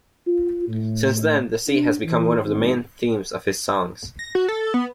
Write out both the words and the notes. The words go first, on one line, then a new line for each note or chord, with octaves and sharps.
Since then, the sea has become one of the main themes of his songs.
F4
A2
D4
E3
G#1
A#6
F#4
A4
B3